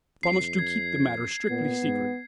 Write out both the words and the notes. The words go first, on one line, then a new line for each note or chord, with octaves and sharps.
Promise to keep the matter strictly secret.
F2 C7
G#6
A#2 B3
G#2